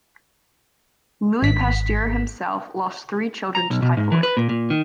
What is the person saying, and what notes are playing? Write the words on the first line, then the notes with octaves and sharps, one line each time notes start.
Louis Pasteur himself lost three children to typhoid.
G#1 B6
A#5
B1
B2
G#2
E3
B4
A#2
A#2
D#3